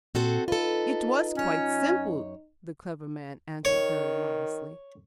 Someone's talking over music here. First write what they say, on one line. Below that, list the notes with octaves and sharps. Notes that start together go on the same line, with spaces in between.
"It was quite simple," the clever man answered very modestly.
A#2 C4 F#4 A4
D#4 F4 A4 B4
F#2 C#4 C#5
D#3 C#5